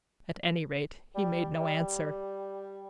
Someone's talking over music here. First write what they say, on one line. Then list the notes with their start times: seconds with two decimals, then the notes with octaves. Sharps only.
At any rate, he made no answer.
1.15 G3
1.60 G3